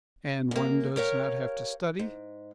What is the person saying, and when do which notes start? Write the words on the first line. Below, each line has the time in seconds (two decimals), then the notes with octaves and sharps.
"And one does not have to study?"
0.51 F#2 A#3
0.96 G4 A#4 C#5 F5
1.99 G#2